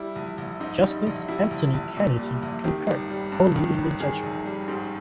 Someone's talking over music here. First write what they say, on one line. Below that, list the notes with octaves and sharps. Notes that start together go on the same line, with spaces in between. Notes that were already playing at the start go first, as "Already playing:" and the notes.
Justice Anthony Kennedy concurred only in the judgment.
Already playing: G3 E4
A#1
A#1
G#2 D#4
G3
A#1
G3 E4
A#1
A#1
A#2
G3
A#1
D#3 G4
G1
G3
G2
D#3
G1
D#3 G#4
A#1
G3
G#2 G4